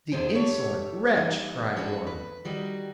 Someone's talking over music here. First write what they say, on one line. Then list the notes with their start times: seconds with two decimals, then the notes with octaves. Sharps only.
"The insolent wretch!" cried one.
0.12 E2 D3 D#3 G4 C5 G#5
0.35 D4 G4 A4 C#5 E5
1.17 E3 G3 A#3 D#4
1.76 C#4 D4 F#4 A4 B4
2.07 B4
2.45 D#3 G3 F#4